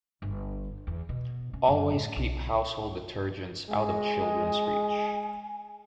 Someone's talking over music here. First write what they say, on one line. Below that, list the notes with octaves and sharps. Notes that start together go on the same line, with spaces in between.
Always keep household detergents out of children's reach.
G1
E2
B2
C#4
F#2
A2
B1
G#3 D#5 G#5